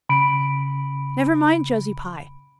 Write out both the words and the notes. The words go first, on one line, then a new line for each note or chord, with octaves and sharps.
Never mind Josie Pye.
C#3 B5 D7